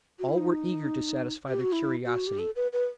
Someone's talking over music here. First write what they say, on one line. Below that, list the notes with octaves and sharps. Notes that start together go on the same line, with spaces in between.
All were eager to satisfy their curiosity.
F#4
E4
D#4
G4
F#4
E4
F#4
G4
A4
B4
B4